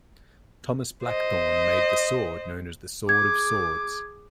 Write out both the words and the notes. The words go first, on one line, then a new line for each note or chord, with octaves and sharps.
Thomas Blackthorne made the sword known as "The Sword of Swords".
C5 D#5
G#4 D6 G#6